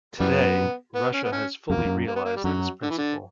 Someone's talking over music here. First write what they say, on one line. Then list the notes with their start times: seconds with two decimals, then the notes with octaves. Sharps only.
Today, Russia has fully realized this principle.
0.20 F#2 E3 G3 B3
0.95 B3
1.14 C#4
1.24 B3
1.32 C#4
1.70 F#2 A#3
1.78 E2
1.85 F#2
2.07 A#3
2.16 B3
2.25 A#3
2.36 G3
2.44 F#2 D3 F#3
2.83 D3
2.90 E3
2.98 D3